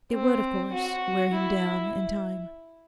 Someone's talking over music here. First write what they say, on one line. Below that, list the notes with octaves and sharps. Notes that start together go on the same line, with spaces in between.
It would, of course, wear him down in time.
C4
F#4
E4